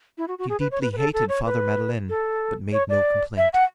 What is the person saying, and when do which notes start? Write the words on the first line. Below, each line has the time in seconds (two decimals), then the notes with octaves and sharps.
She deeply hated Father Madeleine, but made no complaint.
0.18 E4
0.28 F#4
0.39 F#4
0.49 G#4
0.60 B4
0.71 C#5
0.82 B4
0.93 B4
0.98 A4
1.13 A4
1.29 C#5
1.46 B4
2.09 A4
2.72 C#5
2.89 D5
3.37 E5
3.53 F#5